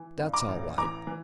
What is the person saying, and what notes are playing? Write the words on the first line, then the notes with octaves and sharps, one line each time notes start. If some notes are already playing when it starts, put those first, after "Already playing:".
That's all wight.
Already playing: E3
G2
A#5 D6
A1
E3 A#5 D6
E3